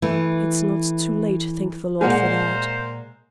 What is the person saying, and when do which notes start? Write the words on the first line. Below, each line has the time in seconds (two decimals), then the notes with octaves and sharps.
It's not too late, thank the Lord for that!
0.02 E3 A3
2.01 A#2 G#3 A#3 C5 F#5 G#5